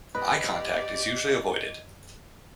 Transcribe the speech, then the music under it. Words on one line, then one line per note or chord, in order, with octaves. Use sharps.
Eye contact is usually avoided.
F#2 G4 B4 D5 D#5